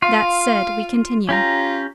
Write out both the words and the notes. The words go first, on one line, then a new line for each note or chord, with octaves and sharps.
That said, we continue.
F4 F5
C#4 F4 G4 A#5